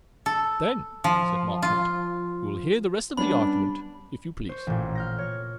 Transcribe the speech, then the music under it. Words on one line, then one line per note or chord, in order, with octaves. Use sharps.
"Then," said Marchmont, "we will hear the rest of the argument, if you please."
A4
F3
F4
G3 B3 C#4 D4 B5
C5 C#6 G6
A1 A#2
F6 G6 A#6
C#5